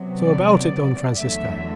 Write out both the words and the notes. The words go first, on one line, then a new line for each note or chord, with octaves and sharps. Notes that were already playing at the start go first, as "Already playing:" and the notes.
So about it, Don Francisco.
Already playing: C3 F#3 B3
D5
D5
E2 D3 F#3 A3 E5